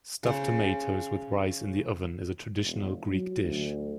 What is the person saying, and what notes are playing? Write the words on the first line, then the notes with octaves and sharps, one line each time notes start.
Stuffed tomatoes with rice in the oven, is a traditional Greek dish.
C#3 C5
E1
F#3
D2